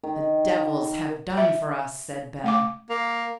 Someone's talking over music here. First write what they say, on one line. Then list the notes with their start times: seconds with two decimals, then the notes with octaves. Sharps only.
"The devils have done for us!" said Bell.
0.03 D#3
1.38 E5
2.44 A3 F5 D6
2.90 A#3